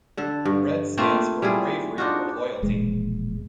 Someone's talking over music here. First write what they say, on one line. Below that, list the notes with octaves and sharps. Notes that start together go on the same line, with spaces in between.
Red stands for bravery or loyalty.
D3 A4
G2
A3 A#3 C4 F4
G3 E4 F4 G#4
D4 D#4 F4 F#4
E1 A#1 G#3